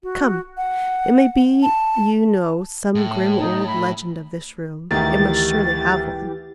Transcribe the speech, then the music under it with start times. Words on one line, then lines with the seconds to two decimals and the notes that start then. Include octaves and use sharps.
Come; it may be you know some grim old legend of this room--it must surely have one.
0.03 F#4
0.57 F#5
1.63 A5
2.95 A2
3.38 D#4
3.67 B5
4.91 D2 D#3 E3 G4 A6